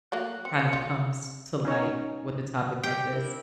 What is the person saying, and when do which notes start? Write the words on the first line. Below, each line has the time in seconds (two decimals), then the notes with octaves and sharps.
kind of comes to light with a topic like this.
0.12 F#3 A3 A#3 F#6
0.45 C4 C#7
0.59 A#4
0.73 F4
1.65 C#4 D#4 C#5
2.83 G4 G5
3.13 D4 E4 A#4